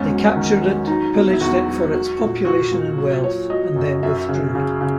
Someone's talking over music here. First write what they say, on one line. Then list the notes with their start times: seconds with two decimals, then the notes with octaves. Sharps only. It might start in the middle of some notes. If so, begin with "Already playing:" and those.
They captured it, pillaged it for its population and wealth, and then withdrew.
Already playing: E2 G#2 C#4
0.09 F#3
0.36 D#3
0.62 F#3
0.87 F#3 D#4
1.14 B2
1.31 E4
1.41 E2 F#4
1.66 F#3
1.92 F#3
2.19 A#2
2.45 A#2 F#4
2.72 A#2
2.98 F#3
3.24 F#3 C#5
3.50 F#3 D#5
3.76 F#2
4.03 F#2 E5
4.28 C#3
4.55 C#3
4.81 C#3